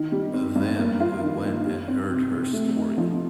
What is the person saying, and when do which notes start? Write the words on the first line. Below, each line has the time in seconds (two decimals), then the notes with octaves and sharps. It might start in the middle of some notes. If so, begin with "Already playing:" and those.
Then we went and heard her story..
Already playing: D#3
0.12 G3
0.34 C4
0.56 G2
0.78 A#3
1.00 F4
1.23 D#3
1.44 D#3
1.65 G3
1.88 C4
2.10 C3
2.31 C3
2.53 A3
2.76 D#4
2.98 F3